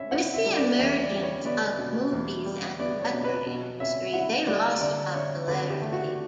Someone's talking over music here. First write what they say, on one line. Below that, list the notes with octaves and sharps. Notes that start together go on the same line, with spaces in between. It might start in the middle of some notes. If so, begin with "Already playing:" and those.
With the emergence of movies and record industry, they lost popularity.
Already playing: C#4 E5
E4 F#5
E5
G3
D5
E2 E5
D5
G3
C#5
B3 D5
B2
E2
G3
B3 D5
C#5
B2
B4
B2
C#4 E5
E4 F#5
G3 D5
D3 D5
D4 C#5
D3 B4
G4
A3
F#4